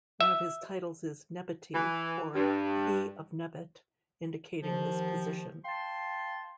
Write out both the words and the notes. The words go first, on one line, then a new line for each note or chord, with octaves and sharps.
One of his titles is "Nebuty" or "He of Nebut" indicating this position.
E5
E3
G2
D#2 D#3 F3
F5 G5 A5 C6